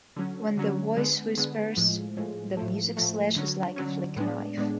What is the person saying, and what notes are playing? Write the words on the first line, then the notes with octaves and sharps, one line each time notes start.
When the voice whispers, the music slashes like a flick-knife.
D3 F#3 C#4
D3 F#3 C#4
D3 G#3 B3
D3 G#3 B3
A2 F3 G#3
A2 F3 G#3
A2 F3 A3
A2 F3 A3
D3 F#3 C#4
D3 F#3 C#4
A2 G#3 B3 D4
A2 G#3 B3 D4